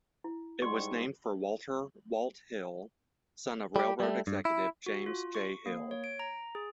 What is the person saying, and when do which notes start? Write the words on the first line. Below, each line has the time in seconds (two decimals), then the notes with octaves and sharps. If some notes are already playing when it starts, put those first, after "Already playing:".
It was named for Walter "Walt" Hill, son of railroad executive James J. Hill.
0.24 E4
0.62 G#2 G3 D5 C6 C#6
3.76 G3 G4
4.00 G3 A3
4.27 G2
4.45 E4
4.86 F#4
5.06 F4
5.35 C#6
5.66 A#3
5.91 C#5
6.04 D7
6.19 A#5
6.55 G#4